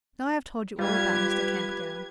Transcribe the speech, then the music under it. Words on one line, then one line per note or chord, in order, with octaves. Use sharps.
"Now I have told you all about Mr. Camperdown."
G3 F4 G4 B4 G#6